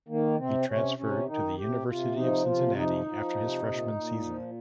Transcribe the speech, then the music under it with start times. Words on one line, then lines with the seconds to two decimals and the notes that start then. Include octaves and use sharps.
He transferred to the University of Cincinnati after his freshman season.
0.08 D#3 A#3
0.38 C3 C4
0.68 C3 C#4
0.98 C3 C#4
1.27 D#3 D#4
1.57 C3 G4
1.87 C3 F4
2.16 F3 D#4
2.46 C3 F4
2.76 F3 D#4
3.05 F3
3.35 C3
3.66 A#2
3.95 A#2
4.25 F3